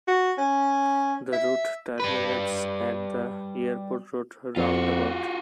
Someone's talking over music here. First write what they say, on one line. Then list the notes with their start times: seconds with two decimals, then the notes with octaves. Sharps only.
The route terminates at the "Airport Road Roundabout".
0.08 F#4
0.38 C#4
1.33 E5
2.00 G3 B4
4.56 F2 F4 F#4